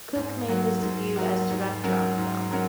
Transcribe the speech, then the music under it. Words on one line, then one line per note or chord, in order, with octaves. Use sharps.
Cook made his debut as director on the film.
G#2
F#3 A#3 F#4
G#2
F#3 A#3 F#4
G#2
F#3 C#4 F#4 A#4
G#2
F#3 C#4 F#4 A#4